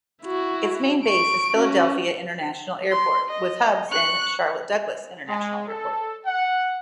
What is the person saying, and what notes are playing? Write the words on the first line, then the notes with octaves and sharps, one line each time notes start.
Its main base is Philadelphia International Airport with hubs in Charlotte Douglas International Airport.
E4 F#4
C#6 D7
C#4 F#4
C6
D#5
C#6 F#6
G#3
A4
F#5